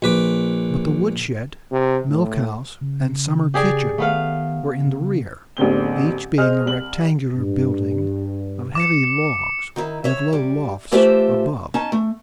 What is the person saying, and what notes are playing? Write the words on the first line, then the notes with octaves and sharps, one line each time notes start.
But the wood-shed, milk-house and summer kitchen were in the rear, each being a rectangular building of heavy logs, with low lofts above.
A#1 B4 D6
C3
A2
C#3
G4 G#4 D5
D#3 A3 B3 F5
C#3
A1 E2 D3 C4 G7
G#4 C5 D#5 F6
C2 F#7
G2
D6 C#7
D#3 D#4 E4
C#5 E5
G3
E3 A3 F4 G4 C5 E5
C#4 D#4 A5
A3